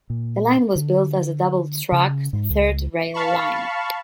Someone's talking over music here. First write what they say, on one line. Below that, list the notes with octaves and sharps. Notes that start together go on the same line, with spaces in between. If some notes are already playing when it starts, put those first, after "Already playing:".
The line was built as a double track third rail line.
A#2
D3
C#3
G#2
C#2
F5 A5 B5 C#6